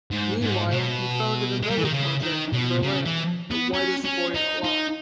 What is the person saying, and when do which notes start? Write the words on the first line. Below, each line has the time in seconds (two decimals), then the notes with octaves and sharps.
Meanwhile, he founded another project in Berlin, The Whitest Boy Alive.
0.11 G#2
0.41 G#2
0.71 B2
1.63 G#3
1.70 G3
1.77 E3
1.85 D#3
1.93 C#3
2.22 D#3
2.53 B2
2.83 C#3
3.05 E3
3.51 B3
3.74 C#4
4.04 C#4
4.35 D#4
4.65 D#4